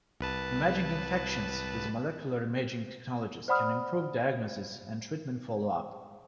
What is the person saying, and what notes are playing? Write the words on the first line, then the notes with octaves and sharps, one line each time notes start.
Imaging infections with molecular imaging technologies can improve diagnosis and treatment follow-up.
C2 B4 A5
C5 D5 F#5 B5 D#6 F6